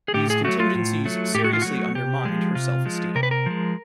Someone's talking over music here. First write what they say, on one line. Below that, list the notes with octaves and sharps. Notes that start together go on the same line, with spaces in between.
These contingencies seriously undermined her self-esteem.
G#4
A2 G4
G#4
F#3 A3 F#4
F4
A2
F#3 A3
A2 G4
F#4
F4
F#3 A3 F#4
C3 G4
F3 G#3
C3 F4
F3 G#3
C3 A#4
B4
A#4
F3 G#3